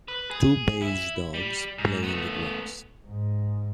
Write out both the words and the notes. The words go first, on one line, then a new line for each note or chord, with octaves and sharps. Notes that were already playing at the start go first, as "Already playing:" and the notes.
Two beige dogs play in the grass.
B4
G#4
E4
G3
G#2
A3 B3
G#2